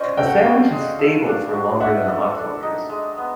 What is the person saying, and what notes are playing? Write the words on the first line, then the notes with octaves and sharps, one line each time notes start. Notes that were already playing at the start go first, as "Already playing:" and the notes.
A sandwich is stable for longer than a hot dog is.
Already playing: C#4 F#4 C5 D5 D#5
A4 G5
F#5
F5 G5
F#4
G#3
A4
D4
F#4
D4 E5 F#5
A4
D4
D#4
G#3
B3